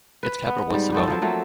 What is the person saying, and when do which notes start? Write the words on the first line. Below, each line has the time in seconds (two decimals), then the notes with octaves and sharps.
Its capital was Savona.
0.23 B4
0.48 B3
0.70 G#2 G3
0.92 B3 C4 A4
1.07 F3 F#3 C4
1.22 F3 F#3 A3 A#3